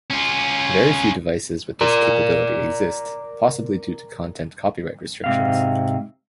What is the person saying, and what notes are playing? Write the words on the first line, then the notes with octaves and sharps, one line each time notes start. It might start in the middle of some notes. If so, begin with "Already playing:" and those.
Very few devices with this capability exist, possibly due to content copyright restrictions.
C#4 F4
A#4 D5
G#2 C3 F5